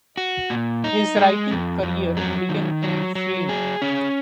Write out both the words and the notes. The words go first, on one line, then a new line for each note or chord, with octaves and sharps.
His writing career began in film.
F#4
A#2
D#4
G#3
F2
F2
F#3
D#3
F#3
F#3
G#4
C#4